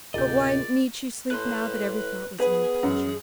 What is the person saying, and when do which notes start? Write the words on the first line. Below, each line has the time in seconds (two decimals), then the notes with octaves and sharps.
But why need she sleep now that every thought was a new pleasure?
0.14 D1 C3 F4 G#4 A#4 D5 D#5 G6
1.31 A2 B4 C6
2.40 B3 G#4 B4
2.83 F#2